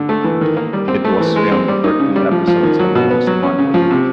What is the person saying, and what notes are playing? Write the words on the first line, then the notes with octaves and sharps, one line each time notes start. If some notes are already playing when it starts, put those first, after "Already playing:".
It was filmed for two episodes of "Most Haunted".
Already playing: D3
A3
E3
D#3
A#3
G3
C4
A3
E3
G#3
C4
G3
D#4
C#3
G3
F3
F3
D#3
F#3
B2
B3
F#3
C#4
C#3
F3
C3